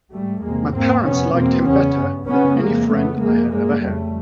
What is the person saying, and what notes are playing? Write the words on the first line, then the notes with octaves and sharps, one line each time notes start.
My parents liked him better than any friend I had ever had.
G#2 G3 A3
E2 C3 G#3 A#3
G#2 A#3 C4
F2 C3 B3 C#4
E2 B2 A#3 C4
E2 C#3 B3 C#4
G2
F#2 C#3 B3 C#4
E2 C3 G#3 A#3
F2 C#3 A3 B3
F2 C3 G#3 A#3
G2 G#3 A#3
F2 C#3 G3 A3